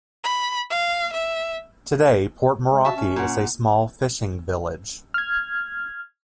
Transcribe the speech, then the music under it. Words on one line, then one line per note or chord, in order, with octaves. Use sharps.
Today, Port Moeraki is a small fishing village.
B5
F5
E5
G#3
F#4 E5 A5
C#4
A#2 F#5
F6 G#6